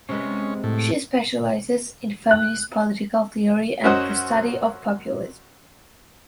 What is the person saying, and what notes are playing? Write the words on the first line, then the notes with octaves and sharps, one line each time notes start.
She specializes in feminist political theory and the study of populism.
C3 G#3 B3 C#4
A2
F#6
F#2 C#4 F#4 C5 D#5 F#5